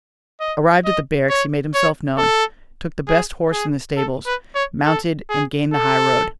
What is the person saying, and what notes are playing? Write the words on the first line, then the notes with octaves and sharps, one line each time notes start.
Arrived at the barracks he made himself known, took the best horse in the stables, mounted and gained the high road.
D#5
D#5
C#5
C#5
A4
G#4
G#4
A4
B4
C#5
A4
G#4
A4